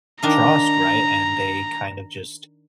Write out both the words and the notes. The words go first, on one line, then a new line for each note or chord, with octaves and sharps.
trust, right, and they kind of just
D#3 D4 F5 A#5